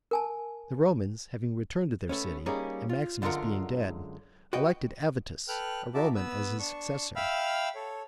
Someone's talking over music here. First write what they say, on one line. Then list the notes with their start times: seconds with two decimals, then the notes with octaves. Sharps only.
The Romans, having returned to their city, and Maximus being dead, elected Avitus, a Roman, as his successor.
0.11 A#4 G#5 A5
2.09 A3 B3 C#4
2.46 G3 A#3 C#4 D#4 G#4
2.89 F4
3.22 F#2 D3 G#3 F4 A#4 F#5
4.53 F#4 B4 D#5 G5
5.48 A4 B4 G5 F6 F#6
5.94 D#4 F#4 E5 A5 D6
6.15 B3 B4 E6
6.59 D4 C#6
7.16 E5 F5 G5 B5 E6 F6
7.75 A4 C#5